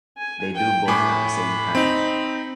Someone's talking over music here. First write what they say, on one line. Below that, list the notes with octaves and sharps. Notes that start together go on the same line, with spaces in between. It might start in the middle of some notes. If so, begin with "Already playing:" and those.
They do both at the same time.
G#5
G5
A2 G#5 B5 D6
C4 D#4